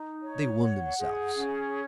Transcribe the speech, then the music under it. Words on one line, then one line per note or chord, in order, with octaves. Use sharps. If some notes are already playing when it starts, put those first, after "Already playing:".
They wound themselves.
Already playing: D#4
C#5
F#5
G#4
C#4